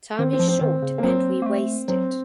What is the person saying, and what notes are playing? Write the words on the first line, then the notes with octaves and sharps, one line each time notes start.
Time is short and we waste it.
D#3 C4
C4
F3
C4
D#3
C#3
A#3
F#3 C4
A#3
A3
F#3 C4